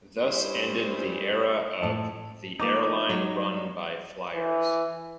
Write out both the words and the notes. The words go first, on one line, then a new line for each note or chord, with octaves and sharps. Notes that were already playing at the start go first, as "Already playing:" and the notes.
Thus ended the era of "The Airline Run by Flyers".
G2 C#4 E4 C5
A2 A5
F3 A#3 D#4 D6
F#3 C#5
E3